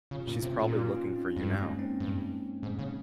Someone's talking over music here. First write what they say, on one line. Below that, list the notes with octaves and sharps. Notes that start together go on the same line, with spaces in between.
She's probably looking for you now.
C#3 F4
G4
A#2 C#4 F4
C3 C#4 F4
A#2
D#4 G4
C#4 F4
C4 D#4
C#4
G2 G#3 C4
A#3 C#4
C4 D#4
G2
G#2
C#3